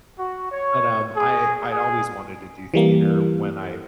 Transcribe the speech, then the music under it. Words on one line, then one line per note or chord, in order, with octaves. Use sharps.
but, um, I I'd always wanted to do theater when I
F#4
C#5
G#4
G#4
E3 G3 A#3